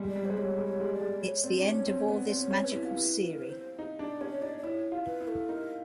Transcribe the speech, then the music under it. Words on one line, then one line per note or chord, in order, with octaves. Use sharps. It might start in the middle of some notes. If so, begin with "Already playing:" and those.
It's the end of all this magical serie.
Already playing: G3 G#3
D5
G3
G#3 C5
G3 C#5
G#3
C#5
G#3
D5
G#3
C#5
C4 D5
D4 D5
C#4 C#5
C4 C#5
B3 D5
C4 D5
C#5
C#4
B4
E4
F4
E4 B4
B4
A#4
B4
C5
D#4
D4 D5
C#4 C#5
D#4 D5
D5
E4 C#5
F4
B4
E4
A4
D#4 A#4